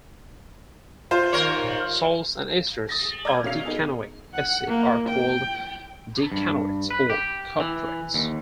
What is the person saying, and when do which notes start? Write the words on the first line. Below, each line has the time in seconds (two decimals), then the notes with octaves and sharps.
Salts and esters of decanoic acid are called decanoates or "caprates".
1.11 F4 C5
1.33 D#2 A#4 C#5
2.89 D#6 A6 A#6
3.25 D5 A#5 E6 F6 G6 G#6
3.44 B2 B3 C#4 F5 C7 F7
3.65 B3 D#4 G#4
4.34 F#5
4.68 A#3
5.09 G5
6.32 G2
6.91 B4
7.10 G4
7.60 E3
8.14 D#2